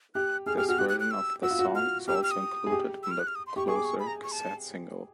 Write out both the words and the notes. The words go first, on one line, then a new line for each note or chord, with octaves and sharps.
This version of the song is also included on the "Closer" cassette single.
G4 F#6
G#4 F6
G4 F6
F#4 F6
G4 F#6
F#6
F#6
E6
F#4 E6
F4
F#4
F6
G4 F6
E6
F6
D#6
G#4
G4
E6
F6
F#6
F6
D#6
C6
G4 C#6
G#4 C#6
D6
C#6
B5
A#5
C#6
A5